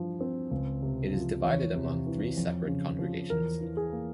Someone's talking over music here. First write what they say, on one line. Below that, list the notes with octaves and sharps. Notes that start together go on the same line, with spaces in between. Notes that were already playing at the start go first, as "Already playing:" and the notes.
It is divided among three separate congregations.
Already playing: G2 E3 F3
C4
C#2
C3
F3
E2 C#5
C3
E3
F2
C#3
F3
E2 A#4
E3
G#4
A#3